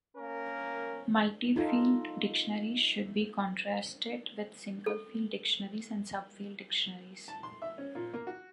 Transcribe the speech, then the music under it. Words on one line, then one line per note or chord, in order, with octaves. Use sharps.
Multi-field dictionaries should be contrasted with single-field dictionaries and sub-field dictionaries.
A#3 C#4 A#4
D#4 F4 A4
A4
A5
C6
E5
C#4
A#2
A#3
F#4